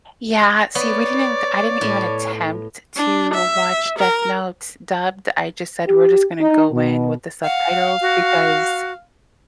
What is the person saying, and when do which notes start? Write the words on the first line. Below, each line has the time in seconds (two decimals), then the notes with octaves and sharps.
Yeah, see, we didn't I didn't even attempt to watch Death Note dubbed. I just said we're just gonna go in with the subtitles because
0.75 B3 C#5 D5
1.81 A2
2.96 D4
3.33 E5
3.99 A#4
5.88 G4
6.40 D#4
6.71 B2
7.44 F5 F#5
8.01 F#4